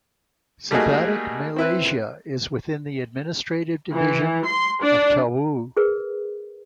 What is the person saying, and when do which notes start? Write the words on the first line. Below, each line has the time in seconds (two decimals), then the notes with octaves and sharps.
Sebatik Malaysia is within the administrative division of Tawau.
0.71 G3 A3 A#3 D#4 F#4 G#4
1.56 C4 E4 B4
3.91 E3
4.44 C6
4.81 D4
5.77 G#4 A#4 B4